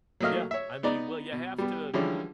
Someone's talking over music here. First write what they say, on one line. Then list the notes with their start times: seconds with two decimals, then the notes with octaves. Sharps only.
Yeah, I mean, well, you have to,
0.20 F#3 A3 A#3 D#5 F5 F6
0.51 C#5 E5
0.83 B3 D#4 D5 A#5
1.32 B2
1.58 G3 B3
1.94 D3 E3 F3 G3 G#3 C#4